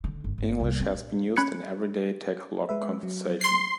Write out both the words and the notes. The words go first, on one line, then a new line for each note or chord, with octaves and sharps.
English has been used in everyday Tagalog conversation.
D3
G1
G1
C2
C4
A#1
C#4 B5 F#6 G#6 C#7
G#3 B4 E5
F#3
C6 C7